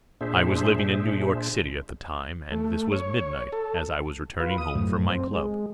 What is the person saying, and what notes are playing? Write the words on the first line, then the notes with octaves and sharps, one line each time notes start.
I was living in New York City at the time, and this was midnight, as I was returning home from my club.
A#2 D4 G#4 C5 E5
A3
C#5
A4
F4 B4
D#6
F#2 A2
C4
G#3